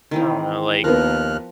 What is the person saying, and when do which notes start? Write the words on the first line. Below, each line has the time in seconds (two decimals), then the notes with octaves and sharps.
I don't know, like,
0.11 D#3 E3 C4
0.84 D#2 F3 B3 A#4 F6 F#6